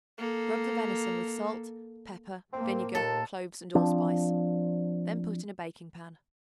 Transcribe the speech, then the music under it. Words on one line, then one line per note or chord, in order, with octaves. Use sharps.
Rub the venison with salt, pepper, vinegar, cloves and allspice; then put in a baking-pan.
A#3 A4
A2 A3 A#3 C4
D#2 A#2 A4
F3 C4 D4